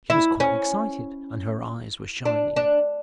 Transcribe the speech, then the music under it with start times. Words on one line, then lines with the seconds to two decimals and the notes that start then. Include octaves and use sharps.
She was quite excited, and her eyes were shining.
0.10 E4
0.40 C#4
2.25 D4
2.56 D4